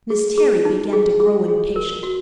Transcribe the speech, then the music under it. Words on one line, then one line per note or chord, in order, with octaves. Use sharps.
Miss Terry began to grow impatient.
G#4
G#4
D#4
G#4
G#4
G#4
A#4
F#4